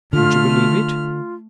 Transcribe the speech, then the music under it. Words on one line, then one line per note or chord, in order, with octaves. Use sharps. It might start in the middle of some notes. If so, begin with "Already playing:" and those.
Would you believe it?
D3 A3 F4 F6